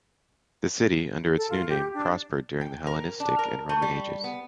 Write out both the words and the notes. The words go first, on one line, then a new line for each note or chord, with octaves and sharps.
The city, under its new name, prospered during the Hellenistic and Roman Ages.
A4
F4
G4
D4
G5
A#4
D4
A#4
A3
G3
B3